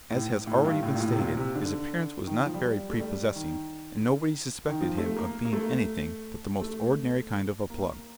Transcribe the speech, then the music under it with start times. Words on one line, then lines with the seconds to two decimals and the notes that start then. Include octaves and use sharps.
As has already been stated, his appearance was not very prepossessing, and nobody suspected him of being anything but the most ordinary kind of a plug.
0.11 A2
0.47 A2
0.65 G2
0.83 A2
0.95 A#2
1.00 A2
1.12 C3
1.19 A#2
1.37 C3
1.55 D3
2.27 D#3
2.46 F3
2.54 G3
2.90 A3
3.00 G3
3.36 D#3
4.69 D#3
4.81 F3
4.98 A3
5.17 A#3
5.45 A#3
5.53 A3
6.61 A3
7.70 A#3